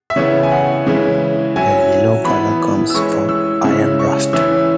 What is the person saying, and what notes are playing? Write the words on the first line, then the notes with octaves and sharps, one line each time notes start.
The yellow color comes from iron rust.
E5
C#3 E3 B3 E4 C#5
G#5
F#5
C#3 E3 G#3 C#4 E4
F#3 C#4 E4 G#5
E3 B3 E4 B5
E6
E3 G#3 C#4 E4 C#6
E6
C#3 G#3 C#4 E4 E6
C#6
E3 C#4 E4 E6